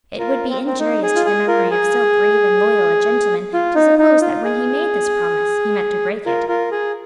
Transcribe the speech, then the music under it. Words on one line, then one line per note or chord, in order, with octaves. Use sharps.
It would be injurious to the memory of so brave and loyal a gentleman to suppose that when he made this promise he meant to break it.
F4 A#4
C4
C4
D#4
G#4
F4
G#4
F4 A#4
G#4
F4
D#4
D#4
F4
G#4
F4 A#4
F4 A#4
G#4